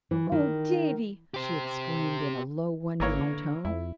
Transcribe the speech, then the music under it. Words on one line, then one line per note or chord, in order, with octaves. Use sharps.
"Oh, Davy," she exclaimed, in a low, wondering tone.
E3
D#3
G4 C5
G#1 E3 A#3 C#5
D3
F2 E4